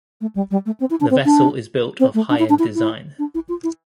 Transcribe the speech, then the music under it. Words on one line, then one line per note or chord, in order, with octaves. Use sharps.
The vessel is built of high-end design.
A3
G3
G3
A3
C4
E4
D4
C4
D4
C4
A3
D4
E4
D4
E4
E4
D4
E4
F4
E4